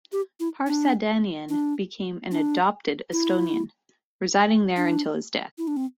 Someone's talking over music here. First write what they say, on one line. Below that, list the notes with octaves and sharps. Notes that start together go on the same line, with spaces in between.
Parsadanian became an "adopted" Estonian, residing there until his death.
G4
E4
D4
D4
D4
E4
D4
E4
D4
C4